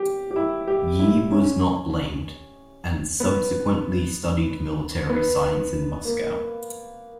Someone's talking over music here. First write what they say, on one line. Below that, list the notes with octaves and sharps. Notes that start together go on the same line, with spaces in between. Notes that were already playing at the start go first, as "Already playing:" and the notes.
Ye was not blamed, and subsequently studied military science in Moscow.
Already playing: G4
G4
E4
G4
E4
C#4
B3
B3
A#3